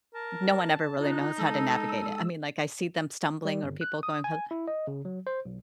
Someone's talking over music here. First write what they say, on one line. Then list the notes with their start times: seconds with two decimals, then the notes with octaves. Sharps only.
No one ever really knows how to navigate it. I mean, like, I see them stumbling or people going ho
0.14 A#4 A5
1.00 D#4 F4 F#6
1.38 G#3 A4 D#6 E6
3.45 G3
3.63 G1
3.81 F#6
4.03 D#6
4.24 G#5
4.51 E4
4.68 D#5
4.87 C#3
5.05 F#3
5.27 C5
5.45 B1